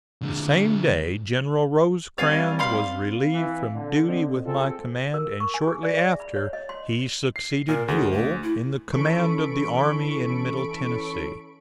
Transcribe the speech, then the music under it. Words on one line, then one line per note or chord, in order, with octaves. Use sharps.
The same day General Rosecrans was relieved from duty with my command, and shortly after he succeeded Buell in the command of the army in Middle Tennessee.
D3 G#3
D#2 G3 C4 C#5 F5 G#5 A6
F5 B5 C6
E3
D3
C4 D#5
C4 F4 G#4 A4
A#4
C#6
G#5
G#4
D5
E5
B5
C#5
D#5
C6
C7
A#2 A#4
D2 G#4
A3
E4
E3 C#4 A4 B5 C#6 D7